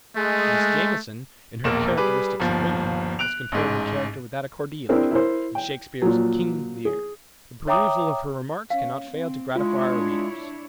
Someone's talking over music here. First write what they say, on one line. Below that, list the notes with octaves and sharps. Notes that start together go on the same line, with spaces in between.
Mrs. Jameson, in her "Characteristics of Women," has compared her character with that of Cordelia, in Shakspeare's "King Lear." The perusal of her remarks cannot fail to gratify our readers.
G#3 A3
E1 A#1 A#3 E7
G3 G#4 B4 D6
G1 D#2 F3
F#6 D7 F7
A1 G#2
C4 D4 E4 G#4 A#4 C5
E4 A#4 C5
G5
A#2 F3 F#3
G#4
C#5 E5 G5 A#5 D6 D#6
C#4 F5
C4
G#3 D4 E4 F4 C#5